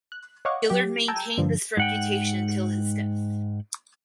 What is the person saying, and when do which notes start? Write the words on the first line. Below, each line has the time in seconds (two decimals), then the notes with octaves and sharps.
Gillard maintained this reputation until his death.
0.12 F#6
0.45 C#5 D#5 F5 F#5 C#6 D6
0.70 F#3 G4
1.08 G5 A5 A#5 E6 G6 G#6
1.38 G2 D3 F3
1.77 G#2 F#5 G5